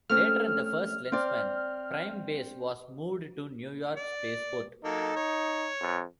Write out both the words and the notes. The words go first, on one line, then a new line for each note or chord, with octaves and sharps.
Later in "First Lensman" Prime Base was moved to New York Space Port.
A3 C4 C#4 F6
C4 D5
D5
F#3 A#3 D#4 A4
C#5
F2